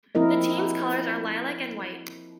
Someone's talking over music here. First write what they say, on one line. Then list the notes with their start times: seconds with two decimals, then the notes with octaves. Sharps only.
The team's colours are lilac and white.
0.15 F3 C4 E4 A#4 D#5